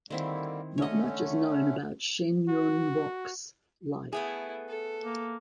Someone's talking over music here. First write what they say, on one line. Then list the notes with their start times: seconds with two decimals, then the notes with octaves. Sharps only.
Not much is known about Shin Yun-bok's life.
0.10 D3 D#3 G3 A#3 C4 E4
0.78 D3 A3 C#4 C#5 D#5
2.49 F#4
4.13 A3 B3 E4 G#4
4.68 A4
5.02 A#3